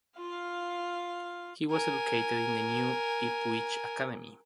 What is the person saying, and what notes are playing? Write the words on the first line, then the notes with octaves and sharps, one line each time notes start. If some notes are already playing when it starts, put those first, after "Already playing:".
He was educated in the New Ipswich Academy.
F4 F5
A#4 G#5